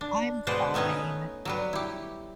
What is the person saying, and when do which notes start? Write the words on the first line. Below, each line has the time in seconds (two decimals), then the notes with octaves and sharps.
I'm fine
0.01 D4
0.47 B2 G#3 B4 C5 D5 F#5
0.74 A3 B3 C#4 D#4 B4
1.45 F#3 G3 B4
1.73 E4 G4